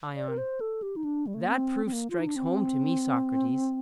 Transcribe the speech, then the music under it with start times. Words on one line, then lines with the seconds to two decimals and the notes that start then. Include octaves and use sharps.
ION: That proof strikes home to me, Socrates.
0.16 D5
0.28 A#4
0.38 C5
0.61 A4
0.82 G4
0.96 D#4
1.04 D4
1.27 G3
1.34 A3
1.41 A#3
1.49 C4
1.86 C4
1.93 A#3
2.10 F4
2.19 D#4
2.27 D4
2.36 C4